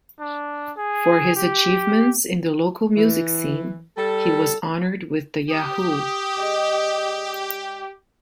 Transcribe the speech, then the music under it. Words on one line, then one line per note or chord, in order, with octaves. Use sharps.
For his achievements in the local music scene, he was honoured with the Yahoo!
D4
G#4
G4
E3
G3 A4
G4 D#6
G#3 D5 D#5